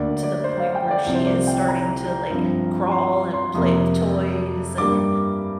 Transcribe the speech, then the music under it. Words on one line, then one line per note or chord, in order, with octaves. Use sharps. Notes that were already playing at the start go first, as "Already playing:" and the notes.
to the point where she is starting to, like, crawl and play with toys and
Already playing: D2 D3 A#3 D5
D5
C5
F5
G5
D5
C2 C3 F3 C4
C5
D5
G5
A#5
G2 F3 C4
C6
C6
C6
F2 C3 A#3
G2 G3 A#3 D6